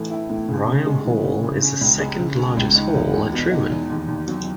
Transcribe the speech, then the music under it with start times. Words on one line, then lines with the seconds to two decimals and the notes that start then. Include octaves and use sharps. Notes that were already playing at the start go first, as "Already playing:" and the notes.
Ryle Hall is the second largest hall at Truman.
Already playing: A2 E3 A3
0.10 E4
0.30 A2
0.48 C#3
0.68 C#3
0.86 G#3
1.05 E3
1.24 C#3
1.43 C#3
1.62 C#4
1.81 C#2
2.00 G#3
2.19 C#3
2.38 C#4
2.57 C#2
2.76 D#4
2.95 E2
3.14 G#3
3.33 B2
3.51 D#4
3.70 E2
3.90 D#2
4.08 D#2
4.28 F#3